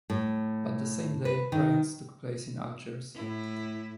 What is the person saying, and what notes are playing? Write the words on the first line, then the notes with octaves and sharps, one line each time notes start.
But the same day, riots took place in Algiers.
A2
B4
D#3
A2 E4